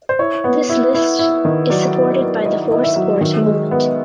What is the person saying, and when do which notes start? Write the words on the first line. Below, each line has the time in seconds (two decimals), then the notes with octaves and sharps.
This list is supported by the For Sport movement.
0.09 C5
0.19 E4 C#5
0.44 B3
0.69 E4
0.95 E4
1.19 E4
1.45 D#3
1.70 F#3 D5
1.96 E4
2.20 B3
2.45 E4 D#5
2.71 E4 D#5
2.84 E5
2.96 F#3
3.21 D#3
3.46 G#3
3.71 B3